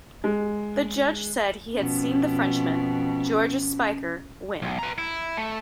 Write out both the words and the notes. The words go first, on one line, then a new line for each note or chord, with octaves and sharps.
The judge said he had seen the Frenchman, Georges Speicher, win.
G#3
F2 B2 C#4
B1
B4 A#5
E4
A3